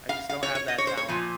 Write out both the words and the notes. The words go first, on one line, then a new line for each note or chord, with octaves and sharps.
I just don't have that talent.
F5
F5
C#5
C#5
D#5
C#5
C5
C#5
A#2 F3